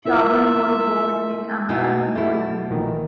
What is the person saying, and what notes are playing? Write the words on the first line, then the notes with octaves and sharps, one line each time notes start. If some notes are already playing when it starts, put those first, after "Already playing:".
Shaban was born in Amman, Jordan.
E4 F4 A#4 E5
B2 D#4 E4
B2 A3 E4
A#1 D#3 E3